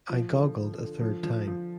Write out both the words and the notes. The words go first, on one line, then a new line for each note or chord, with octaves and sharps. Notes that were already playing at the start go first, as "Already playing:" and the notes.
I goggled a third time.
F3
D3
D3
D3
F3
F3
F3